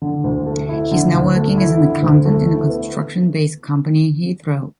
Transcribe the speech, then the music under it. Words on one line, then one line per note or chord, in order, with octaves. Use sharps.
He is now working as an accountant in a construction based company in Heathrow.
D3
D2
A3
E4
D3
D2
A3
E4
D3
D2
A3
E4
B3